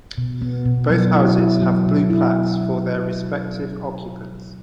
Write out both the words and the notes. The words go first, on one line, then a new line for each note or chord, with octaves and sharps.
Both houses have blue plaques for their respective occupants.
B2
B3
B2
F#3
E4
E4
F#3
B2
E4